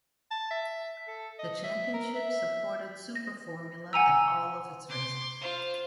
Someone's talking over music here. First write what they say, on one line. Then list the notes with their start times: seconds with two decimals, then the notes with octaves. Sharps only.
The championship supported Super Formula at all of its races.
0.31 A5
0.51 E5
1.08 A4
1.39 D#5
1.64 E5
1.94 A#4
2.16 E5
3.15 A#6
3.93 F#5 G#5 A#5 E6
4.89 C6 D6
5.41 F4 C5